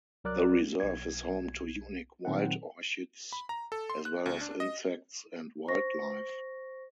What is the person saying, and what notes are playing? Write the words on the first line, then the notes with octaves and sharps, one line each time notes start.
The reserve is home to unique wild orchids, as well as insects and wildlife.
C2 F#3 A#4 D5 D6 F#6
B1 G#6
A#2 D#3 F#3 C4 D#4 F#5
B5
A#5
A4
C6
F#6
D2
D4
D#5
C5 C#6 A#6